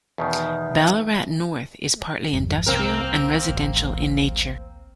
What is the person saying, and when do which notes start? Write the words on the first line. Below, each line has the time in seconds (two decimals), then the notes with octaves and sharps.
Ballarat North is partly industrial and residential in nature.
0.18 E2 B2 D#3
2.33 G#1 F2 G3
2.66 C2 C3 A#3 C4 A#4
3.49 D1 A1